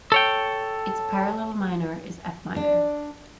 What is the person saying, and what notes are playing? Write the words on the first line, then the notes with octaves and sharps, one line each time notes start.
Its parallel minor is F minor.
A4 C#5 G5
D4